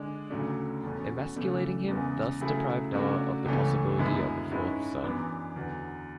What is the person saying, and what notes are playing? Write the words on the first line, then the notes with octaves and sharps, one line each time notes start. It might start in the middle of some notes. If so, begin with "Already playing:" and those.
Emasculating him thus deprived Noah of the possibility of a fourth son.
Already playing: D3 G#3 D4
D2 C#3 F#3 A3 D4
E2 B2 A3 C#4
C#3 E3 A3 D4
E2 C#3 G#3 B3
C#3 F#3 A3 E4 G#4
C#3 F#3 A3 D4 F#4
C#2 C#3 E3 A3 C#4
F#2 D3 G#3 B3 E4
G#2 G#3 C#4 E4 B4
F#2 E3 B3 D4
E2 D3 F#3